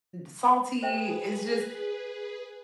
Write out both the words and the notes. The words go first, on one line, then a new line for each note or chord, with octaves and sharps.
salty." It's just
G#4 B4 C5 E5 G5